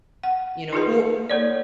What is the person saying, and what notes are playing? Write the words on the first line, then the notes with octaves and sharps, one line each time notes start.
you know or
F#5
D#4 F4 G#4 B4
A#3 C#5 D5